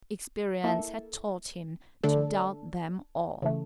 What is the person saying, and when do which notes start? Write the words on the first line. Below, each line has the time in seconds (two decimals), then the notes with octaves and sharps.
Experience had taught him to doubt them all.
0.64 A#3 E4 A4 E5
2.03 D3 A3 D4 A4
3.42 C#3 E3 A3